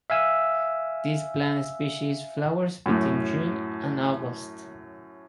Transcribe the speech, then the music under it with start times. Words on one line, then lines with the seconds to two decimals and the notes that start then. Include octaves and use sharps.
This plant species flowers between June and August.
0.10 E5 F5 G#5 E6
2.86 F#2 A2